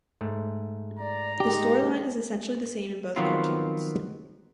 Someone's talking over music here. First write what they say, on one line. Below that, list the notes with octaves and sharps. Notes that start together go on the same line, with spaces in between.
The storyline is essentially the same in both cartoons.
G#2 A3
D5 A#5
G#3 D#4 G4
D#3 F3 F#3 B3 C4 F4